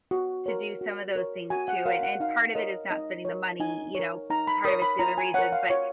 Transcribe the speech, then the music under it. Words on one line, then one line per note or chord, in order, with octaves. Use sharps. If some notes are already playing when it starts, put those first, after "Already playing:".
to do some of those things too, and and part of it is not spending the money, you know, part of it's the other reasons, but
F#4
A#4 C#5
F#4
A#4 C#5
F#4 G#5
F#5
A#4 C#5 F5
F#5
D#4 F5
A#4 C#5 D#5
D#4 D#5
A#4 C#5
D#4 G#5
A#4 C#5
D#4 A#5
B5
A#4 C#5 D#6
B5
F4 A#5
G#5
A#4 C#5 F#5
F5
F4 C#5